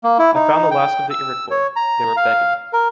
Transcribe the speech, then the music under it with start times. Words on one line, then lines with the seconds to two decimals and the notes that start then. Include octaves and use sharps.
I found the last of the Iroquois. They were begging.
0.04 A#3
0.19 E4
0.35 D#4
0.71 G5
1.10 E6
1.50 C#5
1.76 A#5
2.17 F5
2.73 A#4